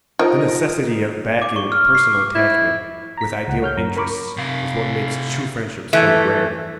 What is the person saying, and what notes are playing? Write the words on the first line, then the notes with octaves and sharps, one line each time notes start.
The necessity of backing personal attachment with ideal interests is what makes true friendship so rare.
F3 D#4 A#4 D#5
D6
C#6
F6
C7
D6
E4
A#5 B6
C#2 F#5
C#5 F6 G6
F#2 A#5
A#4 B5 C#6 D6
C3 F5
E3 A3